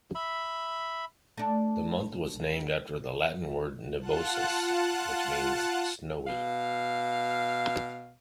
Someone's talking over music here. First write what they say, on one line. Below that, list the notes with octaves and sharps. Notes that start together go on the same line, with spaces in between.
The month was named after the Latin word "nivosus", which means "snowy".
E5 B5
A3 D4
F4 F#5 A5 F#6
B2 F5